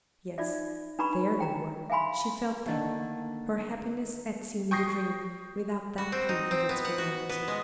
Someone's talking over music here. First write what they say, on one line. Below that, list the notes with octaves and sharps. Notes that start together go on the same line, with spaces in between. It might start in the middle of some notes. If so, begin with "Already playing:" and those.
Yes; there they were; she felt them. Her happiness had seemed a dream without that proof of its reality.
D#4 F4 D5 E5
D4 D#4 B4 A#5 B5 C#6
D4 G5 A#5
E5 F5 G#5 B5 C6
D3 D#3 A3 A#3 A6
G5 C#6 D#6 G6 A#6 C7
F#4
C4
D#4
C4
B3
F#5
F#4
B3
G#3